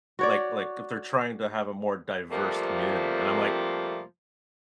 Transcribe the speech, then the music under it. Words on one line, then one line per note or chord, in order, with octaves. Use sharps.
like like if they're trying to have a more diverse community and I'm, like,
F#4 C#5 D5
F2 C3 F3 G3 A3 A#3